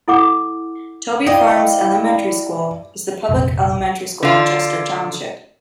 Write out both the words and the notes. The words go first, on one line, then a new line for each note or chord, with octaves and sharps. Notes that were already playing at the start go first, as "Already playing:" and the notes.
Toby Farms Elementary School is the public elementary school in Chester Township.
E4 A4 F#5 D6
E4 D5 D#5 F5 G5
F1 A#1
D3 F4